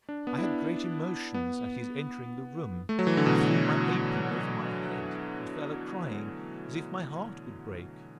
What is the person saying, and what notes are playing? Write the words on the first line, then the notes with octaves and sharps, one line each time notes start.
I had great emotions at his entering the room, and threw my apron over my head, and fell a crying, as if my heart would break.
D4
B3
E4
D4
B3
A3
F#3
E3
D3
B2